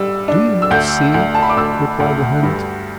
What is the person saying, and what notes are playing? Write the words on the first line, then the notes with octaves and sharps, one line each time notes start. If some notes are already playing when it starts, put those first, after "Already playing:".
"Do you not see," replied the hermit.
Already playing: G3 E6
D4
E6
D2 G6
D2
A5
B5
D6
D2 E6
D2
G2